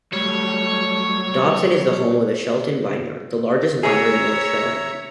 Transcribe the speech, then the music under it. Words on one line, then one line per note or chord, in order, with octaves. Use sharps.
Dobson is the home of the Shelton Vineyards, the largest winery in North Carolina.
F#3 G3 A3 C#5
G#4 C#5 E5 A#5